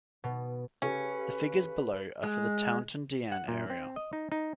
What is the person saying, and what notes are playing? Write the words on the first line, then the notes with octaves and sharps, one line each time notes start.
The figures below are for the Taunton Deane area.
B2
C#3 C#4 G4 A4 B4
G#3
F#5
A#2
C4
D#5
D#4
D#4